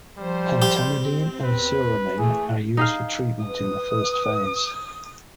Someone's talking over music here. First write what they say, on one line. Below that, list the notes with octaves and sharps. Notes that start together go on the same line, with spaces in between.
Pentamidine and Suramin are used for treatment in the first phase.
F3 G3 C5
G4
C4
E2 B4
E3 A3 G#4
D#4 G#4 F5
B4 D#6